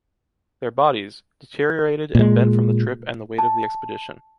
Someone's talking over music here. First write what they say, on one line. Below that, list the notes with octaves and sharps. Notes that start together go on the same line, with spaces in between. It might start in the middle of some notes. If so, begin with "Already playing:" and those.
Their bodies, deteriorated and bent from the trip and the weight of the expedition.
A#2 G#3
A5